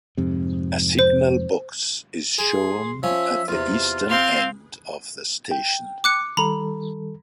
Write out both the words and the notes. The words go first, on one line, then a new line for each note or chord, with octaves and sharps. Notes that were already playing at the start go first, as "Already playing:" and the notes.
A signal box is shown at the eastern end of the station.
F2 G#2 C3
C5
G#4 C6
F3 C#4 E5
E2 C3 F4
C4 F5 C6
G5
D6 F#6 C#7
D#3 G3 A4 A#5 B5